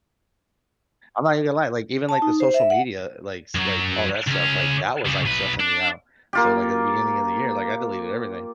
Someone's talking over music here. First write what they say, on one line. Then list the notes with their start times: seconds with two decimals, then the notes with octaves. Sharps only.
I'm not even gonna lie, like, even, like, the social media likes like, all that stuff, like, that was, like, stressing me out. So, like, at the beginning of the year, like, I deleted everything.
2.09 A5
2.22 D#4
2.40 C5
2.54 E5
2.70 F#5
3.55 F#2 F#3
4.27 C#2 C#4
5.06 C#3 G3
5.25 B1 B4
5.60 D4
6.33 A#3 F4 G4